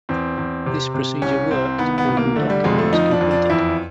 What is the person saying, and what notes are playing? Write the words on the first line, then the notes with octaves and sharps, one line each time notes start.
This procedure worked and undocking was completed.
E2 C4
E2
C3
C3
C2 C#4
C2 C4
D#3 B3
B3
C2
A#3
D3 A3
G3
F2 G#3
A3
F3 D#4
D4
F2
D4
E2 E4